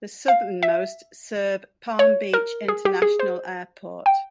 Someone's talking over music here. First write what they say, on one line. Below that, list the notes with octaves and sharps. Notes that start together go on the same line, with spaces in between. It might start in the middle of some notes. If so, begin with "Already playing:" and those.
The southernmost serve Palm Beach International Airport.
F5
E5
C#5
A#4
G#4
G4
G#4
C5
G5